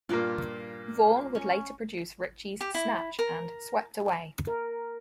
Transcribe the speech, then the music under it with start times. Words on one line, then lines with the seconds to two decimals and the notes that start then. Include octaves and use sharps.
Vaughn would later produce Ritchie's "Snatch" and "Swept Away".
0.09 G2 A#2 A#3 F4 D5 G5
1.35 C#4
2.61 G4
2.74 E4
3.19 A#4
4.47 A#4